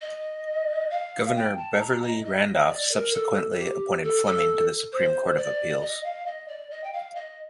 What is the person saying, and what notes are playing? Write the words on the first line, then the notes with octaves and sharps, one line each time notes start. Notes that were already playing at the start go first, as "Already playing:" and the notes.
Governor Beverley Randolph subsequently appointed Fleming to the Supreme Court of Appeals.
D#5
F5
G5
A5
A#5
D#5
D#5
D5
A#4
A4
A4
G4
A4
A4
C5
D5
D#5
F5
D#5
D5
D#5
G5
F5
D#5